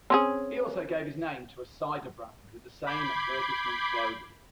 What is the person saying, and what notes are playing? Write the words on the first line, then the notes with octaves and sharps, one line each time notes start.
He also gave his name to a cider brand with the same advertisement slogan.
C4 C#4 G#4
B5 D6 G6 G#6 B6 C7